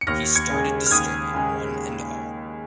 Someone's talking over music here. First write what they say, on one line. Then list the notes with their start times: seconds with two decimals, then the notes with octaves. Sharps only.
He started disturbing one and all.
0.01 C#7
0.07 D#2 F6 A#6
0.36 G#6 C#7
0.50 C#3 G#3
0.86 F6
0.91 D#2 D#6 G#6
1.34 C#3 G#3